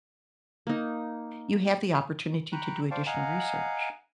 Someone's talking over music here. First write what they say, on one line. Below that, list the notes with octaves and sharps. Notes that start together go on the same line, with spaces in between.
you have the opportunity to do additional research,
A#3 D#4
G5 A#5 B5 C#6 F#6
C5 D5 F5 G5 A5 C#6
D#5 F5 F#5 G#5 A#5